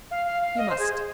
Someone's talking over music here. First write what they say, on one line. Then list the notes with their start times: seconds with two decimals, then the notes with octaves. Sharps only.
You must.
0.10 F5
0.26 F5
0.42 F5
0.58 D#5
0.69 C5
0.79 G#4